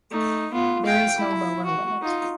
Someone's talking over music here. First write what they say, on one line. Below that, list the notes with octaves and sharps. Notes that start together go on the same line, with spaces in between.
There is no lower limit.
A3 D#4
B3 F4
F5 G5
E4
F#4
D#4 F4